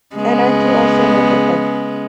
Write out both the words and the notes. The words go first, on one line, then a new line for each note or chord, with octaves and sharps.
And I do also know that, like,
C#3 G#3 B3